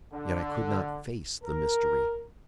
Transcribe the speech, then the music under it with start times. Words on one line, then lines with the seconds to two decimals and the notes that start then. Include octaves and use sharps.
Yet I could not face the mystery.
0.12 D3
1.43 A#4